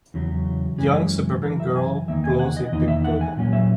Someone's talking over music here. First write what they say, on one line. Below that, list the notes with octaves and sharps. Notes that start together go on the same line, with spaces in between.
Young, suburban girl blows a big bubble.
E2 C#3 F#3
F#2 E3 G#3 C#4 G#4
F#2 E3 A#4
E5
G#5
E2 D#3 A#3 D#4 E5
G#5
F#5
D#5
E2 D#3 A#3 D#4 D#5
E5
F#5
G#5
A#2 F#3 A#3 C#4
E5